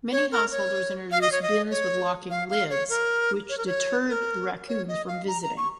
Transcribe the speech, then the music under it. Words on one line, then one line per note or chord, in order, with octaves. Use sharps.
Many householders introduced bins with locking lids, which deterred the raccoons from visiting.
C#5
A#4
C#5
F5
D#5
C#5
D#5
C#5
F5
F5
C#5
A#4
C#5
A#4
C#5
A#4
C#5
D#5
F5
A#5
A#5
C#6